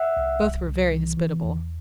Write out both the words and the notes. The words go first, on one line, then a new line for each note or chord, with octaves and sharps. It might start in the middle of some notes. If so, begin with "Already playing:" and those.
Both were very hospitable.
Already playing: E5 F#5
C2
C2
C2
E3
E3
E2